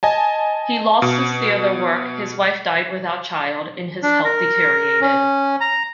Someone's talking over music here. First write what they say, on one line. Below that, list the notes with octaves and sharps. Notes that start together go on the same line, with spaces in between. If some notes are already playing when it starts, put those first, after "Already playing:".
He lost his theater work, his wife died without child, and his health deteriorated.
D#5 G#5 A5
B2
D4
A#4
C#4
A#5